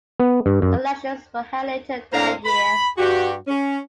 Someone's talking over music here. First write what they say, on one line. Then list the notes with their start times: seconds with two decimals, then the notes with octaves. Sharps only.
Elections were held later that year.
0.20 B3
0.46 G2
0.62 F#2
2.13 A2 C4 D4 C5 F5 A#5
2.45 B5
2.98 G2 F#4 G4
3.47 C#4